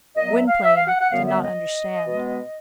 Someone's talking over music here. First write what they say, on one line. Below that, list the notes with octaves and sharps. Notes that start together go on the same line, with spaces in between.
Gwynplaine did not understand.
A#2 F#3 B3 D#5
E5
F5
E5
F5
F#5
F#5
F#2 D3 G3 B3 F5
E5
D#5
B2 G#3 B3